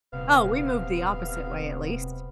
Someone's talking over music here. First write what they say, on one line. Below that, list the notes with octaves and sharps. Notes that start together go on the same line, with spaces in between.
Oh, we moved the opposite way at least.
D#1 C3 B3 F5